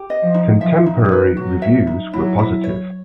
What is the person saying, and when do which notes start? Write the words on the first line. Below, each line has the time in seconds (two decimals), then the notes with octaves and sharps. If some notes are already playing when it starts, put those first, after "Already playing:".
Contemporary reviews were positive.
Already playing: G4
0.10 D#5
0.22 F3
0.34 D#4
0.60 F3 E5
0.86 D#4
0.99 F#3
1.12 B4
1.37 F#3 F#4
1.62 E5
1.87 D#4
2.13 F#3 E4
2.39 E4
2.64 C#5